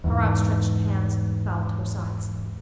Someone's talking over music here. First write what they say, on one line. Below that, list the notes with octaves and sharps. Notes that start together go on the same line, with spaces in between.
Her outstretched hands fell to her sides.
E2 G#2